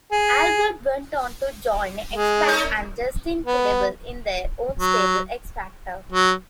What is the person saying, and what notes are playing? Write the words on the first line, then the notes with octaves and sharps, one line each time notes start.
Albert went on to join X-Pac and Justin Credible in their own stable, X-Factor.
G#4
G#3
B3
F#3
F#3